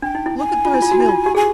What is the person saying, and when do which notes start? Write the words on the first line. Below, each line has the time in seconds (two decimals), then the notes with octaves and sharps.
Look at those hills!
0.02 D4 G5
0.15 D#4
0.26 E4
0.38 G#5
0.65 F4
0.74 E4
0.82 F4
0.91 F#4
1.00 E4
1.09 F4
1.26 G4
1.35 G#4 G#5